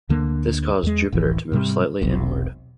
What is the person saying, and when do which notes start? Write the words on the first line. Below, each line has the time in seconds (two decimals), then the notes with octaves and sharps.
This caused Jupiter to move slightly inward.
0.09 D2 D3 A#3
0.83 E2 G#3
1.12 D1 A1 F2 E3
1.52 G#2 C3 G3 C4
2.01 E1 B1 C3 F#3